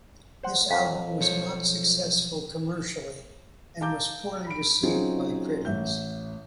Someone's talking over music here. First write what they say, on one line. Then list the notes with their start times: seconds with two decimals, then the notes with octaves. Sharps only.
This album was not successful commercially and was poorly received by critics.
0.43 C5 F#5
0.70 F2 F5
1.20 B1 F3 C#5
3.81 F5 A5 A#5 D6 G6
4.47 B5 D7
4.83 F#3 C4 C#4 D#4 F4 G#4
5.65 A1 E5 G6